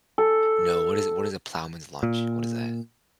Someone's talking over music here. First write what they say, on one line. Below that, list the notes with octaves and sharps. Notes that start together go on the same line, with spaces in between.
No, what is what is a ploughman's lunch? What is that?
A4
A#2